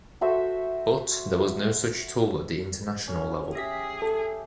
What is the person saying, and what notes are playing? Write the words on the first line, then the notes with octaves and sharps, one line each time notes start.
But, there was no such tool at the international level.
F#4 A4 C5 E5
C#4
G4 G#4 E5 A#6 B6
A4